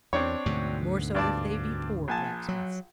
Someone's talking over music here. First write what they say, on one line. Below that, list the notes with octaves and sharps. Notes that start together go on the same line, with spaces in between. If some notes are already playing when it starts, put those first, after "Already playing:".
"More so if they be poor blacksmiths."
E2 C4 D4 C#5
D2 G#2 B2
G2 D5 A5
A#1 G#5 A5
F#3